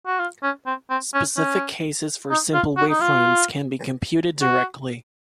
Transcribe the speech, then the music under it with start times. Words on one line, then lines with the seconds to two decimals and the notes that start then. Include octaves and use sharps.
Specific cases for simple wavefronts can be computed directly.
0.07 F#4
0.20 F4
0.43 C#4
0.66 C4
0.90 C4
1.14 C#4
1.37 C#4
2.31 D#4
2.54 F4
2.77 F#4
2.90 D#4
3.01 F4
4.42 F#4